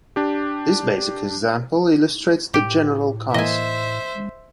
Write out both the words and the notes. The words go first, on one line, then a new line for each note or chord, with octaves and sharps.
This basic example illustrates the general concept.
D4 G4
A2 G4
E3 A#3 C5 D#5 E5 G#5